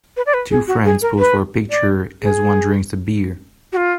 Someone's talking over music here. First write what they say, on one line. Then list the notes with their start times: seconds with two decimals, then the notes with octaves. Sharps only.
Two friends pose for a picture as one drinks a beer.
0.17 B4
0.26 D5
0.34 B4
0.50 G#4
0.67 F#4
0.85 G#4
1.02 A#4
1.19 B4
1.70 D5
2.22 G#4
3.72 F#4
3.77 F4